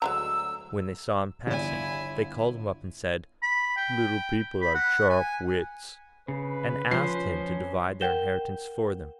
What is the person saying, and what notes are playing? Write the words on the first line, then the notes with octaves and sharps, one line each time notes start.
When they saw him passing, they called him up, and said, 'Little people have sharp wits,' and asked him to divide their inheritance for them.
D2 F#3 G#3 A#5 E6
G1 E4 D5 G#5
B5
G5
B5
F#5
G#5
C#3 B4
F3 C#4 C5 C7
A#4 F#5 G5 G6 E7 G7